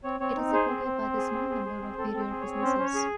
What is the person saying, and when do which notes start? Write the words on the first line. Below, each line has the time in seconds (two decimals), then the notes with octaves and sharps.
It is supported by the small number of Brier businesses.
0.04 C4 C#5
0.20 C4 C#5
0.36 D#4
0.53 G#4 C5
0.68 C4
0.85 C4
1.01 C4
1.17 G#4
1.33 C4
1.50 G#4
1.65 G#4
1.81 C4
1.98 C4 A4
2.13 C4
2.20 C5
2.30 G#4
2.41 C#5
2.46 C4
2.62 C#4 C5
2.79 C#4
2.84 C#5
2.95 G#4